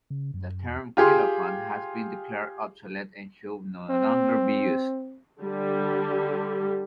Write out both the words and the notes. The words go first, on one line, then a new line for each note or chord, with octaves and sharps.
The term "kilopond" has been declared obsolete and should no longer be used.
C#3
F#2
E2
F4 G4 G#4 C6
C4
D3 G3 G4